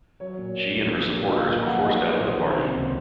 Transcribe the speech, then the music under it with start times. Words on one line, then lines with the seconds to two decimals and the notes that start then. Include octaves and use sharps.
She and her supporters were forced out of the party.
0.20 F#3 C#5
0.38 A#2
0.57 A#3
0.76 A#1
0.93 F#3
1.11 A#2
1.20 F5
1.29 A#3 D#5
1.47 A#1 F5
1.58 G#5
1.65 F#3 F#5
1.83 A#2 D#5
2.02 A#3 C#5
2.19 A#1 C5
2.38 D#3
2.56 C3
2.74 C#2